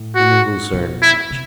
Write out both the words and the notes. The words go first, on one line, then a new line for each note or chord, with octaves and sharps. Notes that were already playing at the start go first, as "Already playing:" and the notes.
In the Lucerne Patch.
Already playing: A2
F#4
B2
E4
C3